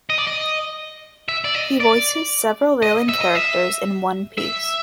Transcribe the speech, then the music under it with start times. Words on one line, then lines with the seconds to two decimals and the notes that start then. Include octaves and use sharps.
He voices several villain characters in "One Piece".
0.10 D#5
0.18 D5
0.27 D#5
1.29 E5
1.44 D5
1.54 D#5
1.80 D5
2.83 D#5
3.09 E5
3.21 D#5
3.35 E5
4.38 E5